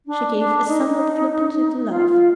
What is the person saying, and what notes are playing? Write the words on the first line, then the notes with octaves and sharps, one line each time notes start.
She gave a somewhat flippant little laugh.
D4
D4
D#4
F4
F4